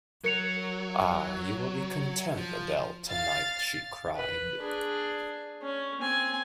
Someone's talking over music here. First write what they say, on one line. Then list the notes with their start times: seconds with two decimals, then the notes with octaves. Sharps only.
"Ah, you will be content, Adele, tonight," she cried.
0.24 F#3 A#4 C#7 F7
2.37 F3
3.07 F5 A6
4.15 B4
4.60 D4 G#4
5.62 C#4
6.01 C4 G#5